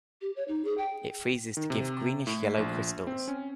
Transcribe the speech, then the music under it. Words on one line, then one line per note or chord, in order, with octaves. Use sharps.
It freezes to give greenish-yellow crystals.
G4
C#5
D#4
G#4
G5
D#3
C3
A2
A#1
C4
C#4